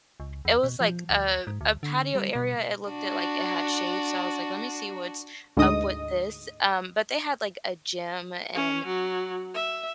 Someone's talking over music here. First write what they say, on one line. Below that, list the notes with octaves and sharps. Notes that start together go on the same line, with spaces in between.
It was, like, a a patio area. It looked at, like, it had shade. So I was, like, let me see what's up with this. Um, but they had, like, a gym and
C#2
E2
B2
F3
D2
G#2
D2
D3
G3
B2
D4 F#4
D2 G#2 D#5 D#6
C#4
F#3
E5